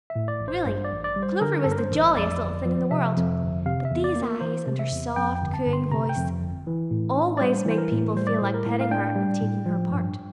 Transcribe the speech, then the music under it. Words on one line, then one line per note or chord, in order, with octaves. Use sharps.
Really, Clover was the jolliest little thing in the world; but these eyes, and her soft cooing voice, always made people feel like petting her and taking her part.
E5
A2
D5
A1
C5
G2 C5
D5
A1
D5
G3
C5
D3 A#4
G2 A4
A#4
C5
A1
F2 D5
G1
F3
C3 E5
F2
G1
C3 F5
E5
E2
D5
A#3
A#4
E3 C5
C3
E5
E2
F2 G5
G5
G1
A5
G1
C6
C3 A#5
G5
F2
G1
E3
A2
D4
D5
G3 C5
E3 C5
A#4
A2
G3 C5
D5
A2 C5
A#4
A2
F5
D4 G5
G3
A2
F3
G2